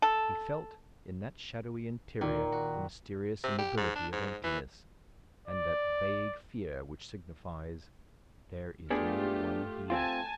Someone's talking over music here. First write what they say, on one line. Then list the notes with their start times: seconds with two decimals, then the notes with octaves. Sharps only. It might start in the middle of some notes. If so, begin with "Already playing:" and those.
He felt in that shadowy interior the mysterious immobility of emptiness, and that vague fear which signifies--"There is no one here."
0.02 A4
2.21 A#2 D#3
2.52 F#4
3.44 C3
3.59 G4
3.77 G#2
3.95 D4
4.12 G#2
4.44 E3
5.48 D5
8.90 A3 B3 D4 F4 G4 G#4
9.90 A3 C4 F4 G#5 A5